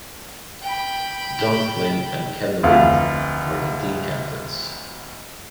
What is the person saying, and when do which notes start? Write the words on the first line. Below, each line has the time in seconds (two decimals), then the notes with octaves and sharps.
Don Flynn and Ken Wind were the team captains.
0.63 G5 B5
2.63 F1 D2 F5